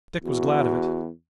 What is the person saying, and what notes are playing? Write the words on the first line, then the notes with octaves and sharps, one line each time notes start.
Dick was glad of it.
E2 F#4